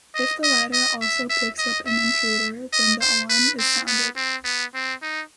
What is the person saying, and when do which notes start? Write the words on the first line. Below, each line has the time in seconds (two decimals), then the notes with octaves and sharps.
If the latter also picks up an intruder, then the alarm is sounded.
0.15 D#5
0.43 D#5
0.73 D#5
1.01 E5
1.30 E5
1.58 D#5
1.87 E5
2.73 D#5
3.01 C5
3.30 B4
3.59 C4
3.87 B3
4.16 C4
4.45 B3
4.74 C4
5.02 D#4